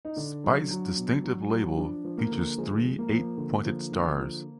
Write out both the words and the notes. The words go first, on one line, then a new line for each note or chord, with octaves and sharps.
Speight's distinctive label features three eight-pointed stars.
D#4
D3 D4
F#3
F#3
B2
F#3
F#3
F3 D4
F3
A#3
D3
F3 G#3
F3
A#3
F3
D3
F3
D3
F3